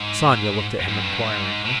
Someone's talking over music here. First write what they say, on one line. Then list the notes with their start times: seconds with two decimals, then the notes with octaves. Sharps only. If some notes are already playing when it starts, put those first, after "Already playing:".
Sonia looked at him inquiringly.
Already playing: G#2
0.88 F#2
1.03 G2
1.19 G#2
1.65 A2